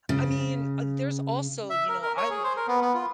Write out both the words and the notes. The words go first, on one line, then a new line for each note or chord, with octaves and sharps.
I mean, uh, there's also, you know, I'll
C#3
E5
A#4
A#4
C#5
G#4
C5
A#4
B3
B3
F4